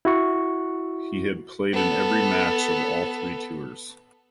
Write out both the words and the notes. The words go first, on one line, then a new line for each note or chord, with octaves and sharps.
He had played in every match of all three tours.
E4 F#4 C#6
B3 A4